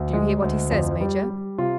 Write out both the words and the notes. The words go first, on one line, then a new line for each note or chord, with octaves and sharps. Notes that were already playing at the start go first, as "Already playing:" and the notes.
"Do you hear what he says, major?"
Already playing: D2
G#3
D2
F2
G3
G3
C3 F4